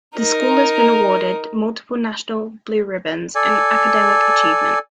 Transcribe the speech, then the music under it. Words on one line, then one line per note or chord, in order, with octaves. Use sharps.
The school has been awarded multiple national blue ribbons in academic achievement.
D#4 A#4
A4 D5 G#5